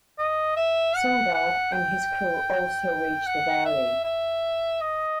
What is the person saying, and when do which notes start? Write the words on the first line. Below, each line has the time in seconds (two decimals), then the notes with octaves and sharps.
Sinbad and his crew also reach the valley.
0.18 D#5
0.57 E5
0.95 F#5
1.34 F#5
1.73 G5
3.27 F#5
3.65 E5
4.04 E5
4.81 D#5